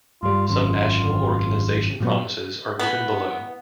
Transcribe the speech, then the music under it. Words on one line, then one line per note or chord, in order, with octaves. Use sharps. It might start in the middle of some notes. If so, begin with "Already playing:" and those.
Some national organization promises are given below.
G2 G3 F4
G#1 F#2 F4
A#2 F#3 B3
E3 B3 F#5